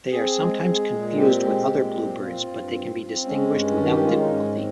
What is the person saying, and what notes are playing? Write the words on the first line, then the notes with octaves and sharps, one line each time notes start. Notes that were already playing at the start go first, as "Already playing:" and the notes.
They are sometimes confused with other bluebirds, but they can be distinguished without difficulty.
C4 G#4
G#3
G#3
A#2
C4 G4
G#3
A#2
C4
C4 F4
G2
C4
C4
G#3 C#4
G2
D#3
G4
G#3 F4
D#4
G#2 C#4
C4